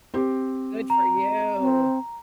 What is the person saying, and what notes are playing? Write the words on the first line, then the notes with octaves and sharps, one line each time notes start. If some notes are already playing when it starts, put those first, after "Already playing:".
Good for you.
C4 G4
A#5
C4